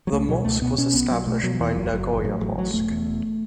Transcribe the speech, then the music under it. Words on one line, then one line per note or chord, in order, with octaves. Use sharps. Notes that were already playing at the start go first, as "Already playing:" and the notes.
The mosque was established by Nagoya Mosque.
F#3
C#2 A3
B2 F#3
C#2 A3
B2 B3
B2 C#4
B1 B3
B1 F#3
B2 A3
B2 F#3
F#3
E2 E3
F#1 F#3
F#1 F#3
A1
A2 F#3
A1 F#3
A2 F#3
E1 A3
E2
E1